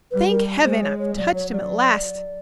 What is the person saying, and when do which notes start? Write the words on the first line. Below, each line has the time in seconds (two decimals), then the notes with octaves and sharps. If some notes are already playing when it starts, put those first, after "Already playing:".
Thank Heaven, I've touched him at last!
0.11 G3 B4
0.30 A#4
0.64 G#3 C5
0.82 C#5
0.99 C#5
1.18 F#3 D5
1.34 C#5
1.53 D5